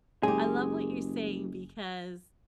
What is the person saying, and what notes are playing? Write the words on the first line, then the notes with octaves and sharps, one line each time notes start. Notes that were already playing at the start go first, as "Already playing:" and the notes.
I love what you're saying because,
F#1 G#3 G4 G#4